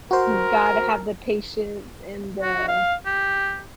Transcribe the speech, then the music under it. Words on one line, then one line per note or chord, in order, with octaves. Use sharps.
You've gotta have the patience and the
F#4 A#4 C5
F#4
F5
G4